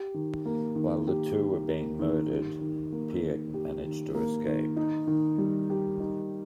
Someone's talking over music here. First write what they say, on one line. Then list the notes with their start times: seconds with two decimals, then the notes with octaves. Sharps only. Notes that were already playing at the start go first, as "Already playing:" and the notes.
While the two were being murdered, Pieck managed to escape.
Already playing: G4
0.14 D#3
0.46 A#3
0.76 D#3
1.07 G4
1.38 D#3
1.68 A#3
1.99 D#3
2.31 G4
2.61 D#3
2.92 A#3
3.23 D#3
3.54 G4
3.84 D#3
4.15 A#3
4.46 D#3
4.77 D#4
5.07 D#3
5.38 G3
5.70 G4
6.00 D#4